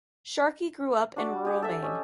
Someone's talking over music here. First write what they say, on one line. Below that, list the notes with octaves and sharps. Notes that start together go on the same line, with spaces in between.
Sharkey grew up in rural Maine.
D4 F#4 D5
G4 G#4 G#5
A4 E5
C#4 D#5